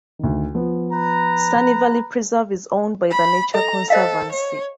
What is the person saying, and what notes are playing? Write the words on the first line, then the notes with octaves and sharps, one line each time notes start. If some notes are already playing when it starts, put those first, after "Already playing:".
Sunny Valley Preserve is owned by The Nature Conservancy.
D2 D#3
F3 B3
B4 A#5
B5
A4 D#5 A#5
A4 C5 D#5 F5
C#5